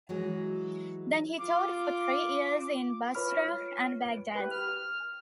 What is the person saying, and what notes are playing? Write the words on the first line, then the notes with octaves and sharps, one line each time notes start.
Then he taught for three years in Basrah and Baghdad.
E3 F#3 G#3
F4 D6
F4 B4 C#5 B5 F6
G4 B4
F6